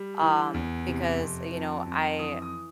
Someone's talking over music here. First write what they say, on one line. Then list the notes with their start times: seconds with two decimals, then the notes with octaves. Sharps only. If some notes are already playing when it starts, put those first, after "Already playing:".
um, because, uh, you know, I
Already playing: G3
0.21 E3
0.54 E2
0.87 C3
1.20 F2
1.54 F3
1.86 F2
2.19 E3 D#6
2.42 D#6